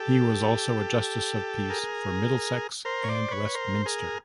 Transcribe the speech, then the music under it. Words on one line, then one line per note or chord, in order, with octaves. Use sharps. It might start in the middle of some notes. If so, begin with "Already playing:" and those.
He was also a Justice of Peace for Middlesex and Westminster.
Already playing: G4 A4
G#4 A#4
A#4 C5
C#5
C5 D5
B4 C#5
A#4 C5
G#4 A#4